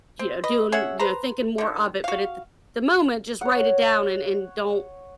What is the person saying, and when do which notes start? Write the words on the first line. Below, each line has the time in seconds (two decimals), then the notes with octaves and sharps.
you know, doing you know, thinking more of it. But at th the moment, just write it down and and don't,
0.19 C4
0.44 B4 D#5
0.72 C#4 G#4 E5 F#5
0.99 B4 C5 A#5
1.58 D3 D#3
2.04 F#4 F5
3.41 C#5 F#5